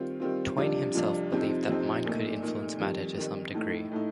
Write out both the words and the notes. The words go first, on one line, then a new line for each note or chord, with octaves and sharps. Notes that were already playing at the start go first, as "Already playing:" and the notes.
Twain himself believed that mind could influence matter to some degree.
Already playing: D#3 G3 C4 F4
D#3 G3 C4 F4
F2 C3 G3 D4 F4
F2 C3 G3 D4 F4
F2 C3 F3 C4 D#4
F2 C3 F3 C4 D#4
A#2 A3 D#4
A#2 A3 D#4
F2 D#3 G3
F2 D#3 G3
A2 A3 D#4
A2 A3 D#4